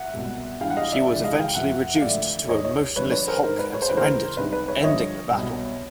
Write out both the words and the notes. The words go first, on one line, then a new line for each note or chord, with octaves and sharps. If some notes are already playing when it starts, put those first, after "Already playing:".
She was eventually reduced to a motionless hulk and surrendered, ending the battle.
Already playing: E5 F#5
C2 B2
G2 E3 F5 G5
F#5
D#5 F5
D5 E5
C#2 C#3 E3 D5 E5
D#5 F5
F5 G5
F2 C3 F3 E5 F#5
F5
D2 D3 F3 D5 E5
D#2 D#3 C#5 D#5
C#5 D#5
G2 D3 F3 B4 C#5
B4 C#5
A#4 C5
G#2 D#3 A#4 C5
B4
C#5
C5
D2 C#3 E3 B4
A#4 C5
C2 C3 D#3 B4
B4
B4 C#5
E5
G2 D3 F3 C#5 D#5
C2 B2